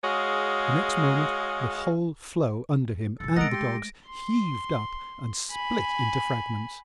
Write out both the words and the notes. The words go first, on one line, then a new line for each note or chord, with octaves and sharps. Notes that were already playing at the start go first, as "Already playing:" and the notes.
The next moment the whole floe under him and the dogs heaved up and split into fragments.
G#3 F#4 G#4 C#5 F5
B1 E2 A4
G#3 A3 A#4 D#5 F#5 A#6 D7
G4 C6
C6
G#5 B5